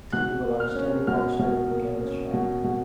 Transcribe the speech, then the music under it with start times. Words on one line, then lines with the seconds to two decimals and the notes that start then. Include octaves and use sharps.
Three people are standing outside of a ghetto shack.
0.13 B2 F#6
0.45 A#3
0.60 F6
0.75 C#4
1.07 B2 F6
1.39 B2
1.70 A#3
2.02 C#4
2.33 B2
2.64 B2